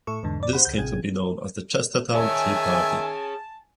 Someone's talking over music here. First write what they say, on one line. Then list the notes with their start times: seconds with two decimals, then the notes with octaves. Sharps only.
This came to be known as the Chestertown Tea Party.
0.07 A2 A4 C#6
0.23 E2 G#2 D3
0.40 F2 D5
0.53 C5 F#5 B5
0.65 C#2 G6
0.78 A1 C3 G#4 G#6
2.14 D#3 G#4 C#5 E5 G#5 A5